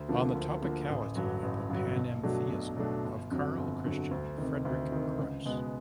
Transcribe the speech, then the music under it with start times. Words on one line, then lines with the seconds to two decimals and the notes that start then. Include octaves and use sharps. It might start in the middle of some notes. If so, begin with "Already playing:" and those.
On the topicality of the panentheism of Karl Christian Friedrich Krause.
Already playing: D2
0.09 D3 F3 A#3
0.35 D2
0.62 D3 F3 A#3
0.89 A1
1.15 G2 D3 F#3
1.42 A1
1.70 G2 D3 F#3
1.96 B1
2.23 B2 F#3 A3 D4
2.50 B1
2.77 B2 F#3 A3 D4
3.04 G1
3.31 F2 D3 F#3
3.57 G1
3.84 F2 D3 F#3
4.11 D2
4.38 C3 D#3
4.65 D2
4.92 C3 D#3
5.19 C#2
5.45 B2 G#3 B3